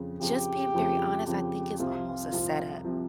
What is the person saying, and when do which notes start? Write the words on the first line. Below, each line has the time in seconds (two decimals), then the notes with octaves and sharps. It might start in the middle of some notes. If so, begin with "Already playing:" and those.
just being very honest, I think it's almost a set-up.
Already playing: F2 C#3 F3
0.21 F2 C#3 F3 G4
0.74 F2 C#3 F3
1.26 F2 C#3 F3 G4
1.79 C2 C3 F3 F4
2.32 C2 C3 F3
2.85 C3 F3